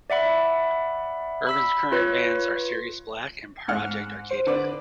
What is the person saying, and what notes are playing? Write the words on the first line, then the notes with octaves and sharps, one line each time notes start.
Urban's current bands are Serious Black, and Project Arcadia.
D5 E5 F#5 B5
B5 E6 B6
F4 B4 C#5
G#2 F#5 F6
C5
D3 B4 D5